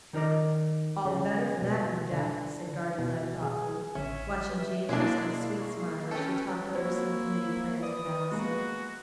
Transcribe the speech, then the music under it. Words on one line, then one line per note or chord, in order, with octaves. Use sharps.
"All the better for that, no doubt," said Guardy Lud thoughtfully, watching Jane Bristol's sweet smile as she talked over some committee plans with Allison.
D#3 D#4 A#4 D5 D#5
C#3
B2
D3
B2
G#4
A1 D3 C#4 E5
B4 C#5
B2 G#3 A#3 D4 E4 D5 C7
G#4 C#6
C#4 A4 B4 G5
A#3 C4 E4 F#4 C#5
B4 D5 D#6
G#3 A#3 B3 F#4